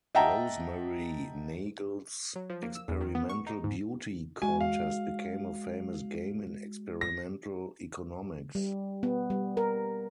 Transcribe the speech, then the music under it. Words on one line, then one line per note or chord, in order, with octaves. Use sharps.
Rosemarie Nagel's experimental beauty contest became a famous game in experimental economics.
D#5 E5 F#5 G5 A5 A#5
F#3
F3
A#3
E6
E2
D#3
B3
C#6
D#4
G#2
G#3 F#4 G#5
F5
A#6
G3
B3
G3
A#4